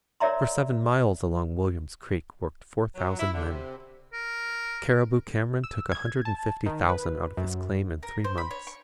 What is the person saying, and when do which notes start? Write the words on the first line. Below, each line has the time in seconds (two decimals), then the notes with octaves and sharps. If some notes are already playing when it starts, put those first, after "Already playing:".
For seven miles along William's Creek worked four thousand men. Cariboo Cameron took a hundred and fifty thousand out of his claim in three months.
0.20 A#4 C#5 D5 E5 A#5 C6
2.95 F#3
3.19 E4
3.34 D3
3.49 C3
4.13 A#4
5.64 E6
5.92 G#6
6.25 A5
6.66 D#3
6.89 B4
7.37 F#2
8.03 A#4
8.24 C5
8.38 B5
8.51 C#5
8.67 C#6